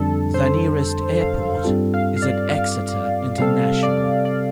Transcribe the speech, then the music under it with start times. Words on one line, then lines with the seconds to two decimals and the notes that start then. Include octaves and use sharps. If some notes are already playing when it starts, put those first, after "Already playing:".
The nearest airport is at Exeter International.
Already playing: F2 D3 G3 D4 A4
0.34 C5
1.21 F5
1.64 G2 G3 C4 F4 A4
1.94 F5
2.16 F5
2.22 D5
2.51 F5
3.38 C3 G3 C4 A4 F5
3.83 D5
4.25 D5